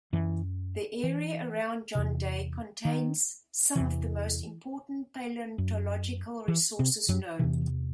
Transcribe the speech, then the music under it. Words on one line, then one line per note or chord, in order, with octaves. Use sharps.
The area around John Day contains some of the most important paleontological resources known.
F#2 E3
E3
E2 C3
D#3
E2 C3 E3
F#2
E3
C3 C4
F#2 F#3
E2 C3 E3